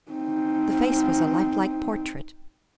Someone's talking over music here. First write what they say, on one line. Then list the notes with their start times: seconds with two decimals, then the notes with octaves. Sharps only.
The face was a lifelike portrait.
0.11 C4 D#4